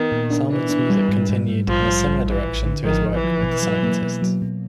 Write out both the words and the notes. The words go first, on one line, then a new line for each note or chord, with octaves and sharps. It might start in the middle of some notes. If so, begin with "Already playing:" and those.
Salmon's music continued in a similar direction to his work with the Scientists.
Already playing: D#3 B3
A#2
D4
E3 D4
D4
G3
G#2
G#2
G#2
A#1 F3
A#1
A#1
A1 E3
A1
D3
D#3 F3
A1
E3
F3
B2
F#3
A#3
B2
F#3
B2